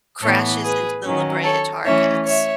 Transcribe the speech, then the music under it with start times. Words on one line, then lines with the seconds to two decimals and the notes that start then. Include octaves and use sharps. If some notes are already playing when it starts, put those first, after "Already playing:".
crashes into the La Brea Tar Pits.
0.22 A2 E3 B3 A4 C#5
0.62 G#4 B4
1.04 D#3 F#3 C#4
1.43 A4 C#5
1.85 E3 A3 C#4 C#5 E5
2.25 C#5 E5